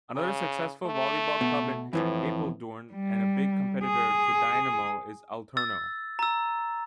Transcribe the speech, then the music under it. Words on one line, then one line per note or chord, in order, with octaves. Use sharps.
Another successful volleyball club in Apeldoorn, and a big competitor to Dynamo, is Alterno.
C#3
A3
B2
F2 A2 E3 F3
G3
G#4
E6 A6
A#5 E6